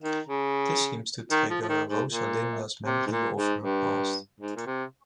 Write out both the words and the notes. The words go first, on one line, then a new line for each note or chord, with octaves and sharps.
This seems to trigger Rosalinda's memory of her past.
D#3
C#3
D#3
F3
F3
D#3
G#2
A#2
C3
G#2
A#2
G#2
G2
G#2
A#2
C3